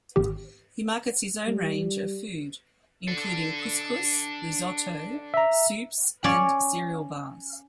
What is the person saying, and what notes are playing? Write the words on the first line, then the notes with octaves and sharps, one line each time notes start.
He markets his own range of food, including couscous, risotto, soups and cereal bars.
G#1 G4
G3
D4 A4
E5 A#5
C#4 C#5 D5